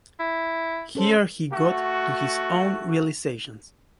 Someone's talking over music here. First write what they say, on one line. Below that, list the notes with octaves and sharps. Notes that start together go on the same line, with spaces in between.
Here he got to his own realizations.
E4
C#4 A4 C5
A3 F#4